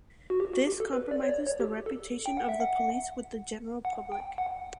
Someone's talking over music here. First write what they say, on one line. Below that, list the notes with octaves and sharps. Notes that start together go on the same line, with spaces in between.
This compromises the reputation of the police with the general public.
F#4
G4
F#4
G4
A4
B4
D5
C#5
D5
C#5
G4
A4
G5
F#5
E5
F#5
F#5
G5
F#5